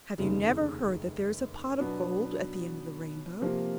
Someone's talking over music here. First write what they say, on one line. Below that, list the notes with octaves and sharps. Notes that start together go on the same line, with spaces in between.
"Have you never heard that there is a pot of gold at the end of the rainbow?..."
F1 D#2 C#3
B2 F#3 B3 D4
C3 F3 A#3